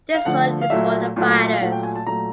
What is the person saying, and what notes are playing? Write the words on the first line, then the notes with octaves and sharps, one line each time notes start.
This one is for the fighters.
F5
D3 F3 A3 F#5
F5
A#2 F#3 A3 E5
A#2 F#3 A3
F5
A#2 F#3 A3 F#5
G5
G#5
A5
A#2 F#3 A3 A#5